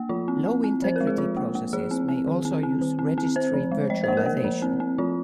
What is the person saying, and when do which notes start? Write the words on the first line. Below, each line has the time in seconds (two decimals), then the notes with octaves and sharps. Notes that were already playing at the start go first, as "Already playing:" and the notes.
Low integrity processes may also use Registry virtualization.
Already playing: A#3
0.09 F3 F4
0.28 C4
0.46 C4
0.64 C4
0.82 F3 C5
0.96 G#3 A#4
1.07 G#4
1.18 F3 F4
1.37 A#3
1.55 A#3
1.73 F3 G#4
1.91 C4
2.08 C4
2.27 D#3
2.45 C4
2.63 C4
2.81 D#3
2.99 C4
3.18 C4
3.36 C4 C5
3.53 F3
3.71 G#3
3.90 F3 D#5
4.04 A#3 C5
4.17 A#4
4.26 A#3
4.44 F3
4.62 C4
4.80 C4
4.98 F3 F4